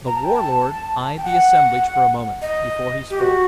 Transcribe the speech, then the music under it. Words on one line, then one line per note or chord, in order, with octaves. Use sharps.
The Warlord eyed the assemblage for a moment before he spoke.
A#5
A5
G5
A5
G5
F#5
D#5
G4
F#4